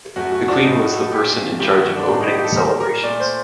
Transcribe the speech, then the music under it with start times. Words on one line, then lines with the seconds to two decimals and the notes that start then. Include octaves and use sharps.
The queen was the person in charge of opening the celebrations.
0.16 F#2 F#3 A3 F#4
0.32 F#4
0.48 D4
0.64 A2 A3 D#4
0.79 F#4
0.95 A4
1.12 A#2 A3 G4
1.59 G2 D#3 F#3 A#3 G4
1.72 F#4
1.84 F#4
1.96 D4
2.08 A2 F#3 A#3 D4
2.21 D#4
2.32 G4
2.44 A4
2.56 A#2 G3 A#3 A#4
2.80 A#4
3.03 A#2 A3 D5
3.20 C5